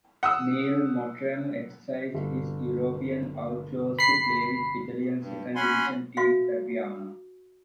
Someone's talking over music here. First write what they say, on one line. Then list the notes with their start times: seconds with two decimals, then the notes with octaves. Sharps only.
Neil Mottram exercised his European out clause to play with Italian second-division team Fabriano.
0.23 F#5 D#6 E6
2.14 G1
3.99 B5 C7
5.18 G2
5.56 C#4 F#5 G#5 B5 C6
6.17 F#4 E5 F5